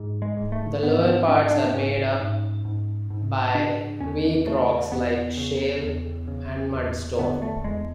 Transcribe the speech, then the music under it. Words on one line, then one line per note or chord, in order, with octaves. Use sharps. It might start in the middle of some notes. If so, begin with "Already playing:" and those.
The lower parts are made up by weak rocks like shale and mudstone.
Already playing: G#2
G#3
G#2
A3
G#2 B3
C#4
B3
G#2 C#4
D4
B3
G#2 C#4
G#2
G#2
G#2
C#3 D4
E2 C#4
C#3 A3
E2 B3
C#3
E2
C#3
E2
D3 B3
A3
E2 G#3